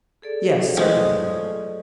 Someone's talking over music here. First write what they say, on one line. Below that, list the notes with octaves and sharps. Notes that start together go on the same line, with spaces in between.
"Yes certainly."
G#4 A4 D5
F3 F#3 G#3 A3 C#4 D#5